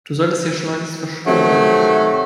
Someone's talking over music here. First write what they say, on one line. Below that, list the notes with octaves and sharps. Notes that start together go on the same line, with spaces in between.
Du solltest hier schleunigst verschwinden.
C3 D#3 F#3 A3